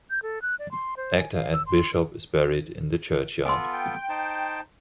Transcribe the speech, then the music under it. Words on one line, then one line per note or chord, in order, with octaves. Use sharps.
Actor Ed Bishop is buried in the churchyard.
G6
A4
F#6
D5
C6
C5
G#5
F5
E6
C6
B3 F4 A4 G#5 C6
G5
D#4 C5 A5